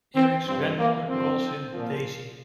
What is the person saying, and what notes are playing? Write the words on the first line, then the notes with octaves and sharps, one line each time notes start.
Eric's grandmother calls him "Desi".
C4
G2 F3 C4
A#3
G2 D3 F3 C4
A#2 F3